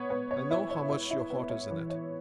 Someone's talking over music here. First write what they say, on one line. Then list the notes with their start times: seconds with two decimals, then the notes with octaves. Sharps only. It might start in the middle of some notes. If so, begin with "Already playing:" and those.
I know how much your heart is in it.
Already playing: B3 C#5
0.10 B3
0.31 C#5
0.51 E4
0.70 C#5
0.90 E4
1.10 E4
1.30 B3
1.50 C#5
1.71 E3
1.90 C#5